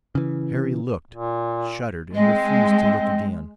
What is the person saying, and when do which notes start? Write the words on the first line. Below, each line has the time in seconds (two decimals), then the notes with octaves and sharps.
Harry looked, shuddered and refused to look again.
0.15 C#3 E3
1.11 A#2
2.15 G#3 C4 D#5